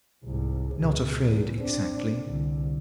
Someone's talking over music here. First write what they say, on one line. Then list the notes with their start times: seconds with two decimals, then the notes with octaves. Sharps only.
"Not afraid, exactly."
0.25 C2 G#2
0.75 C#2 B2
1.25 E2 A2
1.59 C4 D4
2.25 C2 D3